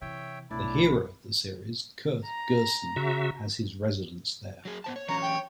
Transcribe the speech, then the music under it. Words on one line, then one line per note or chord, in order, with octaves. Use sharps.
The hero of the series, Kirth Gersen, has his residence there.
C3 E3 C#5 E5 G5
B1 A2 D4 E4 D5 B5
A#5
C#3 F#4 E5
F#3 G#4
B3 C5 A5
C#5
E3 F#3 C#4 C#5 A#5
G5